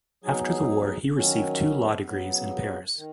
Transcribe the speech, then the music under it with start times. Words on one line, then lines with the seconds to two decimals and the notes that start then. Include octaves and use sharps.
After the war, he received two law degrees in Paris.
0.24 B2 F#3 D#4 G#4
1.15 D#3 F#3 C#4
2.06 C#3 F#3 B3
2.97 D#3